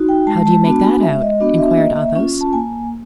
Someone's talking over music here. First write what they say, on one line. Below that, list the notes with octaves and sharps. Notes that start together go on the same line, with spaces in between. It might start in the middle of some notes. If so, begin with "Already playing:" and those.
"How do you make that out?" inquired Athos.
Already playing: D#4 F#4
G5
G#3 A5
A5
B3 D4 F#4 A5
G#5
G#3 E5
D#5
B3 D4 F#4 D#5
E5
E5
A#3 D#5
E5
C#4 F4
A5
A#3 G#5